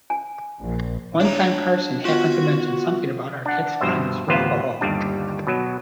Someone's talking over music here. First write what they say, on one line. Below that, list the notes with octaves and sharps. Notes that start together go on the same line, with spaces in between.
One time Carson happened to mention something about Arquette's fondness for alcohol.
G#5
A#1
D4 C#5 A#5
B3 F4 F#4
D4 F#5
G2 B2 C5 E5
A1 D2 C3 B3 F4 C5
G1 D#2 G3 D4
B2 F#3